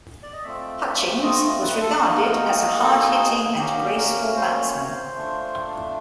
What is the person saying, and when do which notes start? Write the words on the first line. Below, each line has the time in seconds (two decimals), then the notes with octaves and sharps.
Hutchings was regarded as a hard hitting and graceful batsman.
0.23 D5
0.33 D#5
0.44 A3 C4 F4 E5
1.22 D#5
1.42 D#5
1.62 B4
1.81 A4
2.01 A#3 D#4 F#4 A#4
2.72 A#4
2.80 A4
3.19 G#4
3.58 A#3 C#4 F#4 G4
3.97 A#4
4.36 C5
4.63 C#5
4.81 C#5
4.89 C5
5.15 A3 D4 F4